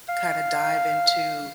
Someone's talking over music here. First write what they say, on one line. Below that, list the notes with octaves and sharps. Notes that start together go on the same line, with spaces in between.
kinda dive into,
F5